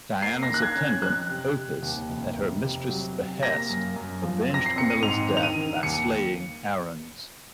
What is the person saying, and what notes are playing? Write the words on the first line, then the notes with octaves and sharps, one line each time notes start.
Diana's attendant, Opis, at her mistress' behest, avenged Camilla's death by slaying Arruns.
A#3 C7
A#6
D#3
F#6
G#6
C#4
F2 F#6
C3
C3
D#2
F1
F1
C3
F#3
C3
A#3 A#6
F#2
F#2
F3
C4 A#6
C7
C4 C#7
D#7
G#2 F7
D#3
F7
D#7
D#3
D#2 C#7